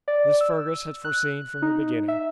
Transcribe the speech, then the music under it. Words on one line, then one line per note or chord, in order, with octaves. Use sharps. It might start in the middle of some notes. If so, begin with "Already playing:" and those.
This Fergus had foreseen from the beginning.
D5
E6
F#6
D#4
E5